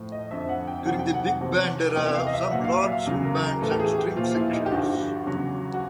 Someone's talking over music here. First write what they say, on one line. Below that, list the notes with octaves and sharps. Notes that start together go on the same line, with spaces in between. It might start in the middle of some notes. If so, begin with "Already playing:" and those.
During the big band era, some large swing bands had string sections.
Already playing: A2 F3
D#5
F2 D3 F3 E5
F#5
G5
F2 C3 D#3 F#3 F#5
G5
F#5
F#5
E2 C3 F3
E2 C3 E3 G5
E5
F5
D#5
E5
A#2 F#3 F#5
F5
E5
F5
E2 C#3 F#3
A#4
A#4
A2 E3 A4
G4
G#4
G4
A#2 F3 F4
E4
D#4
G4
G2 D3 F3 F#4
E2 C#3 F#3
F#4